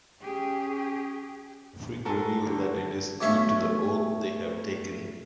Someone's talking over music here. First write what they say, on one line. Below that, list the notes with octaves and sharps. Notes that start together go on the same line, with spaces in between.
Frigg revealed that it is due to the oath they have taken.
C#4 G4 G#4
F#4 A4 A#4 G#5 C6
D2 D3 G3
B1 A3 C#4 E5 F5